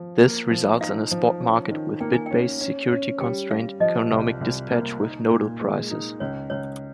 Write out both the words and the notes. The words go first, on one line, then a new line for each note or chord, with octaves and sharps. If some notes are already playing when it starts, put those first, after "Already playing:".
This results in a spot market with "bid-based, security-constrained, economic dispatch with nodal prices".
Already playing: F3
A#3
F3
D#4 F5
F3
C#4
D#3
A#3 G5
G#5
C#4 G5
C#4
C#4
G3 G5
G3 F5
F3 D#5
C2
C2
A#3
D#4
A#2
G#3
D#4
C#2 C#5
C#2 C#5